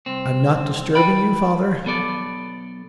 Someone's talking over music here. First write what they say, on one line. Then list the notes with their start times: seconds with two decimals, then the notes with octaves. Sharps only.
'I'm not disturbing you, father?'
0.06 C2 C4
0.95 D5 G5 B5
1.85 B1 B3 A4 D5